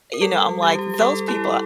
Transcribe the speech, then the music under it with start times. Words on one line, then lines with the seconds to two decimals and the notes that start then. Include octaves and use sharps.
you know, I'm like "Those people
0.14 A#4
0.21 G3 A4
0.49 G3
0.63 G4
0.75 G3 G4
0.94 G4
1.01 G3 A4
1.28 E4 G4
1.45 A4